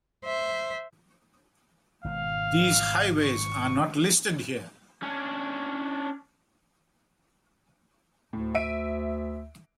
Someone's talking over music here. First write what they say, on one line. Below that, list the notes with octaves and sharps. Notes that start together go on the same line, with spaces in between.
These highways are not listed here.
C5 E5
G#1 G#2 B2 F5
C#6
C#4 D4
D2 A2
E5 D7 D#7